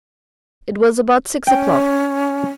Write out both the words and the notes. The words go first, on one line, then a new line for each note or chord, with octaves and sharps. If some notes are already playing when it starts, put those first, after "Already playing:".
It was about six o'clock.
C#4 G5